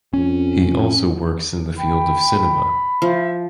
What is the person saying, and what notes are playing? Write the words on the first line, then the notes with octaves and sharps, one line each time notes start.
He also works in the field of cinema.
F2 C#4
G5 B5
F3 E5